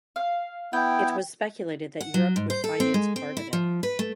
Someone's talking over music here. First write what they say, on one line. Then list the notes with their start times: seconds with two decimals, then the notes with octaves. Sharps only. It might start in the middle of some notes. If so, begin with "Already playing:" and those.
It was speculated that Europe would finance part of it.
0.16 F5
0.73 B3 E4 G5
2.01 F#5
2.14 F#3
2.36 G#2
2.50 C5
2.64 A4
2.80 C4
2.94 G#3
3.16 C4
3.37 E4
3.53 F3
3.83 B4
3.99 A3